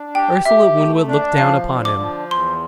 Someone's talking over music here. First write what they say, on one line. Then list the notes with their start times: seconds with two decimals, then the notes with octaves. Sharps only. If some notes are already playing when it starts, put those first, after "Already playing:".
Ursula Winwood looked down upon him.
Already playing: D4
0.15 G4 G5
0.45 G4 E5
0.77 A3
1.08 D4
1.38 F3 F5
1.70 D3
1.85 D6
1.99 F3
2.31 E2 C6